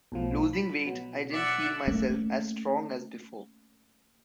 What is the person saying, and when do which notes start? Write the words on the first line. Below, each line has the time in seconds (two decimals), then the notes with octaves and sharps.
Losing weight I didn't feel myself as strong as before.
0.12 B1 A2 F3
0.53 B5
0.85 B2 F#3
1.31 D5 E5 F#5
1.87 A3 A#3 C#4